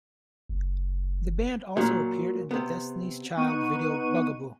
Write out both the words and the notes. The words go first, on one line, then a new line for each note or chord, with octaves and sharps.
The band also appeared in the Destiny's Child video "Bugaboo".
F#1
A#2 F#3
C3 B3
B3 D#4 C#6 F#6 D#7